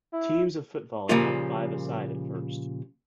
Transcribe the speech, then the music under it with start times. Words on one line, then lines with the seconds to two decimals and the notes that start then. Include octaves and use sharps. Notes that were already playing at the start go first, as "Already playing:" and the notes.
Teams of footvolley had five a side at first.
0.13 E4
1.09 A#2 C#3 F3 G3 A#3 F4